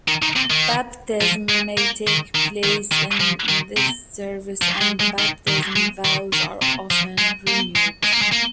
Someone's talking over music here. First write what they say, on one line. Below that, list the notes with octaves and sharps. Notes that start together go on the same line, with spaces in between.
Baptisms may take place in this service and Baptism vows are often renewed.
D#3
D#3
C3
D#3
F3
G#3
A#3
D#3
D#3
D#3
D#3
F3
D#3
C3
F3
G#3
G#3
D#3
D#3
G#3
D#3
D#3
C3
F3
G#3
A#3
G#3
G#3
A#3
G#3
A#3